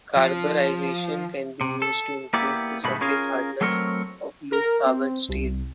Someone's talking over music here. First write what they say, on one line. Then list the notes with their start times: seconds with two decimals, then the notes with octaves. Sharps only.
Carburization can be used to increase the surface hardness of low carbon steel.
0.17 F3
1.61 C3
1.82 A4
2.33 A#3 B3 E4 G4 D5
2.84 G2 B2 D#3 G#3 A3 B5
3.01 C#4 F4 G#4 A#4 F5
3.61 F#3 A3 C4 A#4 C#5
4.52 A#4
4.86 C4
5.29 C2